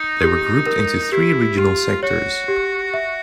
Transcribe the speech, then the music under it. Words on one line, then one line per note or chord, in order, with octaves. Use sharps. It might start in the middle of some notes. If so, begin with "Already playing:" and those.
They were grouped into three regional sectors.
Already playing: D#4
G4
A#4
E4 G4
F4 G4
F#4 C#5
G4
E5